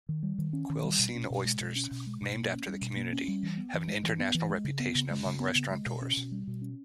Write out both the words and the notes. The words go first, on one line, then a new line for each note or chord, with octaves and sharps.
Quilcene oysters, named after the community, have an international reputation among restaurateurs.
D#3
G3
D#3
C#4
D#3
G3
B2
C#4
B2
G#3
B2
C#4
B2
G#3
B2
A#3
C#4
G3
B2
A#3
C#4
G3
E3
B3
E3
G#3
E3
B3
E3
G#3
C#3
B3
C#3
G#3
C#3
B3
C#3
G#3
B2
C#4
B2
G3
B2
C#4